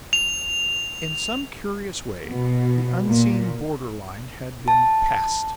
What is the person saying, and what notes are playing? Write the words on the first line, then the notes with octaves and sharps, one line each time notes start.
In some curious way the unseen border line had been passed.
F7
B2
A#2
A5